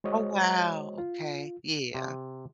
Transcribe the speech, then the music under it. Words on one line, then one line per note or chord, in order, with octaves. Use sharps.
Oh, wow. Okay. Yeah.
G#3 F#4 C5 C#5 D#5
F4
C3